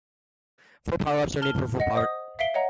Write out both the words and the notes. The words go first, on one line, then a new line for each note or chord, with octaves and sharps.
Four power-ups are needed for full power.
A5 F6 G7
D#5 F#5
C5 D#5 D#6
E5 F5 B6 C7 D7 G7
C#5 D#5 F#5 A#5